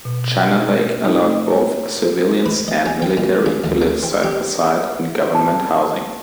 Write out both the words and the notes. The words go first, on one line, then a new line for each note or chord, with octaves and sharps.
China Lake allowed both civilians and military to live side-by-side in government housing.
B2
G5
A#4
D#4
A3
C#5
C5
B4
D#5
C#4
G5
A#2
C#3
D2
A3
C4
G4
A5